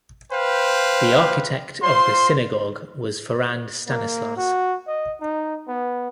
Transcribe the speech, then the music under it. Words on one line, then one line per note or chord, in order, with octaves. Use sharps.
The architect of the synagogue was Ferrand Stanislas.
B4 C5 F5 G5
F4 C5 C6
A#3
F#4
D#5
D#4
B3